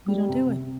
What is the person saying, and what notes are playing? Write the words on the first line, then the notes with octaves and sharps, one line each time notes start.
We don't do it.
G3
C3
C3